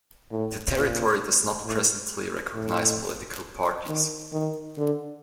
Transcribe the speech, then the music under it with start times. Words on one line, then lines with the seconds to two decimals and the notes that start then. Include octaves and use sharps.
The territory does not presently recognize political parties.
0.31 A2
0.76 A#2
1.65 A2
2.55 A2
3.89 D#3
4.33 D#3
4.77 D3